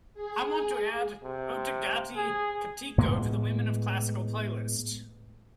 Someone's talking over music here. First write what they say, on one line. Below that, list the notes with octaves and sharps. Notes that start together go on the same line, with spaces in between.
I want to add Ottagathai Kattiko to the women of classical playlist.
G#4
C3
G#4
A2 G#3 B3